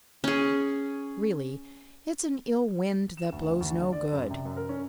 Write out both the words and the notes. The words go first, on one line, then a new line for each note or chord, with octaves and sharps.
Really, it's an ill wind that blows no good!
C#4 G#4
E7
D2
D2
D3
D5
F#2
C3
F#2
A#4
C#4